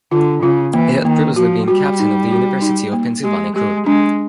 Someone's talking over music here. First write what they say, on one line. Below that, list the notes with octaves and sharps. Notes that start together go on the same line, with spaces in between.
He had previously been captain of the University of Pennsylvania crew.
D3 F4
C#3 F4
E3 A#3
D#3 A#3
F3 F#4
G3 F#4
D#4
F#4
D#4
A#3
G#3 G4
G#3 G4
G#3 D4